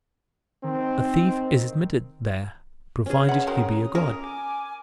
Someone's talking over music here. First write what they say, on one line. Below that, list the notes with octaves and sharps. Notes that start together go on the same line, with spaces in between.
A thief is admitted there, provided he be a god.
D#3 C4
C#4 D4 G#4 B4
F#5 B5
C4 F#4 A#4 A#5 D#6
C#4 A#4
G#5 D6